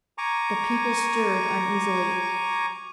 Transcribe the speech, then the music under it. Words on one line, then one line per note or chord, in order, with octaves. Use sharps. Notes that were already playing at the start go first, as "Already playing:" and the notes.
The people stirred uneasily.
G#5 A#5 C#6 D6